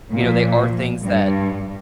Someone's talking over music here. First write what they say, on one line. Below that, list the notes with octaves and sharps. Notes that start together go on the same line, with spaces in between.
you know, they are things that
A#2 F3
G2